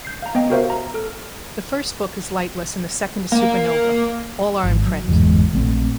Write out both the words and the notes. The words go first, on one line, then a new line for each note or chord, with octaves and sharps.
The first book is "Lightless" and the second is "Supernova", all are in print.
G6 C7
F5 A#5
B3 D#5 G5
F#4 G4 A#4 C5 E5 F5
A#5
A4 F6
A#3
G#1
F#3
G1 E2 G#2 G#3
A#1 A3 C4